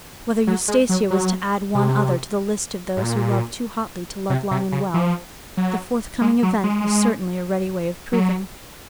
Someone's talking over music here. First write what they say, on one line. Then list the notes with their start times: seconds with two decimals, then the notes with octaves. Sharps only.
Whether Eustacia was to add one other to the list of those who love too hotly to love long and well, the forthcoming event was certainly a ready way of proving.
0.47 F#3
0.68 G#3
0.89 F#3
1.11 F#3
1.75 C3
2.97 G#2
3.03 A#2
4.30 C3
4.51 C3
4.72 C#3
4.94 F3
5.57 F#3
6.21 G#3
6.43 F#3
6.64 G#3
8.13 F#3